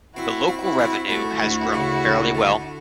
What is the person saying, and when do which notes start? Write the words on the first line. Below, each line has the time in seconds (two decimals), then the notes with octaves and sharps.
The local revenue has grown fairly well.
0.16 C4 E4 F#4
0.48 C4
0.62 E4 F#4
0.79 C4
1.09 A3 E4 F#4
1.41 D2
1.73 C#3
2.04 D2
2.35 D3